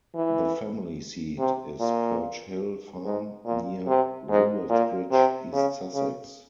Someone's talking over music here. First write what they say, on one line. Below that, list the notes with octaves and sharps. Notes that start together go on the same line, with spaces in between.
The family seat is Perch Hill Farm, near Robertsbridge, East Sussex.
E3
C3
A#2
G#2
A#2
C3
G#2
A#2
C3
C#3
C#3